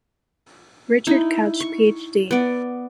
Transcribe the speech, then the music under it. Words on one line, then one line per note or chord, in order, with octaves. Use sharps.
Richard Couch, PhD.
D#4 E4
C#6
B3 D5